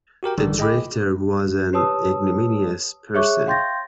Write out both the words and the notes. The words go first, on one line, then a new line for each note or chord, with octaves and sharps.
The director was an ignominious person.
F#4 G4 A#4 G5
A1 D3 D#3 G3
G#4 D#5 G5 B5 D6
G4 B4 C#5 A5 D#6 E6
G#4 C#5 E5 C#6 D6 F#6
F5 G5 C6 G6 A6 A#6